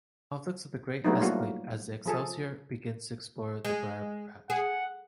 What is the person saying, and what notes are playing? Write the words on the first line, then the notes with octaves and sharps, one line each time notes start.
Conflicts with the Grey escalate as the "Excelsior" begins to explore the Briar Patch.
F#3 G3 A3 B3 D4 D#4
G3 A3 A#3 F4 F#4
F3 G#4 A4
G#3
G#4 F#5